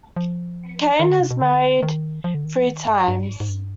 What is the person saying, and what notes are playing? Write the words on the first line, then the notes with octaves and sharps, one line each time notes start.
Cain has married three times.
F3
D#3
D3
C3
B2
D3
D#3
F3
D3
D#3
F3
D#3
G2
G2
G#2
G#2
G2